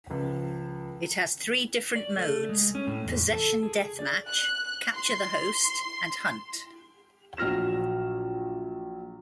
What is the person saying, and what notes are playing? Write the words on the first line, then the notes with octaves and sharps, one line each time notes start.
It has three different modes: Possession Deathmatch, Capture the Host and Hunt.
C#2 F3
D5
A3
G#3
C#4
A2
E2
A4
G#4
D5
F#6
C6
A#1 F#3 F6 A#6 E7